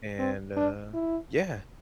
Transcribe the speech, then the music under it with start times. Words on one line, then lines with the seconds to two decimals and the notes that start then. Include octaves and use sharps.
and, uh, yeah,
0.19 C4
0.56 D4
0.94 E4